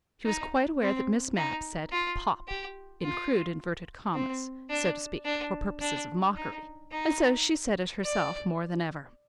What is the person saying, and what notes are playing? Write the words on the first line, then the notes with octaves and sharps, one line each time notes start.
She was quite aware that Miss Mapp said "pop" in crude inverted commas, so to speak, for purposes of mockery, and so she said it herself more than ever.
D#4
C4
D#4
F4
G4
F4
C4
D4
D4
D4
D#4
D#4
D5